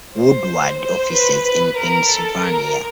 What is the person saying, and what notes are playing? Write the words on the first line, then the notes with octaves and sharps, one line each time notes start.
Woodward offices in Pennsylvania.
C5
C5
B4
B4
A#4
A4
A#4